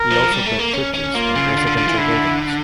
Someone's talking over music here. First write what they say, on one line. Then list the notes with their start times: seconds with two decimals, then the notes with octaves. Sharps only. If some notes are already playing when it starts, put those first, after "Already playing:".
He also built churches and residential buildings.
Already playing: A#4
0.11 F3
0.32 G3
0.46 A3
0.59 A#3
0.73 C#4
0.94 C#4
1.15 A#3 F4
1.35 C#3
1.57 D3
1.67 D3
1.77 D3
1.88 E3
1.98 D3 E4